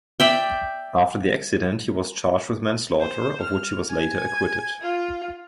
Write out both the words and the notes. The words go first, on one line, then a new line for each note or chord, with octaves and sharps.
After the accident he was charged with manslaughter, of which he was later acquitted.
D5 E5 G5
C5
F6
G#5
F4